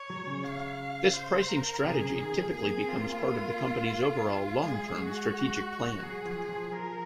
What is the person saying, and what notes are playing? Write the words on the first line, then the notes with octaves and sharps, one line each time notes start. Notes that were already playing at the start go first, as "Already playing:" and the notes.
This pricing strategy typically becomes part of the company's overall long -term strategic plan.
Already playing: C#5
F#3
C#3
F5
C5
A#4
C3 G#4
C#3
D#3
F3
A#3 G#4
C4
C4 F4
A#3
G#3 G#4
F#4
F#3 G#4
F3
F3
F3 A#4